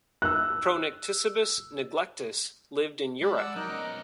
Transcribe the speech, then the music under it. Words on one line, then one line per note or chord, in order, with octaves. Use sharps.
"Pronycticebus neglectus" lived in Europe.
E6 F#6
G#3 A5 B5
D5 F#5 E6
F#3 D#4 G4 A#4 D6 F#6
B3 C#4